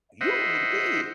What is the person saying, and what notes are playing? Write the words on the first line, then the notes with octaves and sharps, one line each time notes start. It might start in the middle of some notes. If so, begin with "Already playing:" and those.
you don't need to be here.
C5 D#5 E5 F#5